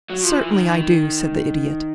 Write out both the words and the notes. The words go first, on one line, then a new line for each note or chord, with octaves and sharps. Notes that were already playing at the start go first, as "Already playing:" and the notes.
"Certainly, I do," said the Idiot.
F#3
F3
E3
D#3